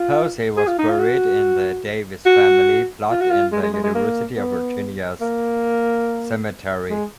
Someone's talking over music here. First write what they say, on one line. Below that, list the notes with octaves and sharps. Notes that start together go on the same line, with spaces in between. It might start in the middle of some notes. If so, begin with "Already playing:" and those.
Posey was buried in the Davis family plot in the University of Virginia Cemetery.
Already playing: F4
G#4
F4
D#4
F4
F#4
F#4
F4
F#4
F4
G#3
G#3
G#3
G#3
A#3
B3
A#3
G#3